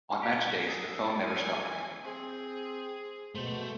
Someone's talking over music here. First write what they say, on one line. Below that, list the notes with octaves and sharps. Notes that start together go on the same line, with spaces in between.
On match days the phone never stopped ringing.
G4
G#4 A4
G#5
C4 G#4
B2 A3 C5